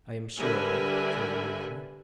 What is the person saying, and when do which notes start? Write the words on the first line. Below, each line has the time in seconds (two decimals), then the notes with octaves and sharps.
I am sure of it, from your manner.
0.38 D3 G3 A#4 B4 E5 G#5